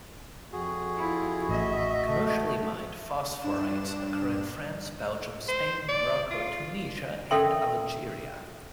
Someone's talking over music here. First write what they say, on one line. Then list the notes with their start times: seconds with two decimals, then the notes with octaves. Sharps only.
Commercially mined phosphorites occur in France, Belgium, Spain, Morocco, Tunisia and Algeria.
0.53 F2 F#4 G#4
0.96 E4 F4
1.49 A1 D#5 E5
2.08 A3
3.42 G2 D4 E7
5.48 C5
5.89 D5
6.31 F4
7.31 C#4 A4 A#4 E5 G5 C6